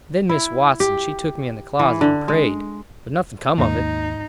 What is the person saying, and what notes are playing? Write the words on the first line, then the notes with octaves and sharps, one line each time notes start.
Then Miss Watson she took me in the closet and prayed, but nothing come of it.
E4
G4
E3
D3
G#3
D#2 G#2 D#3 A#3 D#4